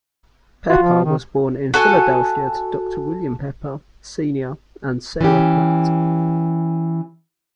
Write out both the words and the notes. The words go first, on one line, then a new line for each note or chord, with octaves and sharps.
Pepper was born in Philadelphia to Doctor William Pepper, Senior and Sarah Platt.
F4 F#4
F3
D#3
F#4 A4 G#5
E3 C#4 G4